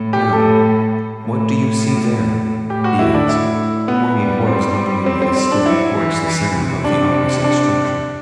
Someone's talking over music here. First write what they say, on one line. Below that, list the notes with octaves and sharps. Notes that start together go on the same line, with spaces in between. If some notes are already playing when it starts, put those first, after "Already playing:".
'Now, what do you see there?' he asked, pointing horizontally with his stick towards the centre of the opposite structure.
Already playing: A2
G4
A2 A4
A2
A2 G4
F#4
E4
D4
E4
B2 B3
G3
C4
C4
C4
C4
D4
F#3 E4
E3
E3
C3
D4
D4